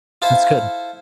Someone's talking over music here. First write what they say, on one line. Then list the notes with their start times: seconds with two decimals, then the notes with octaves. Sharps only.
That's good.
0.22 E4 F4 A4 C5 E5